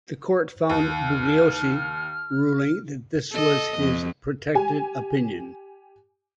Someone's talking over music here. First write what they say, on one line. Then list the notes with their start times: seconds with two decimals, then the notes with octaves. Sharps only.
The court found for Bugliosi, ruling that this was his protected opinion.
0.70 D#2
1.07 F6
3.33 A4 D#5
3.79 F2
4.55 G4 G#5